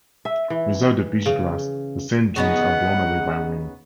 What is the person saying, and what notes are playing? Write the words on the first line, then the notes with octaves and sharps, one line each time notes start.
Without the beachgrass, the sand dunes are blown away by wind.
E5
E3
C#3
C#3 B3 D#4 F#5